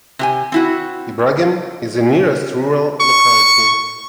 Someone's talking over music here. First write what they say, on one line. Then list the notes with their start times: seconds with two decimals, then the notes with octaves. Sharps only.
Ibragim is the nearest rural locality.
0.19 C3 G4 G#5
0.52 C4 E4 F#4
3.00 C#6